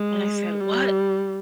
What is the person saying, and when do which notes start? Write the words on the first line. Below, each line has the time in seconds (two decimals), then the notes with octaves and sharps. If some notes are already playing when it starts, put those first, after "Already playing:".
and I said, "What?"
Already playing: G#3
0.61 G3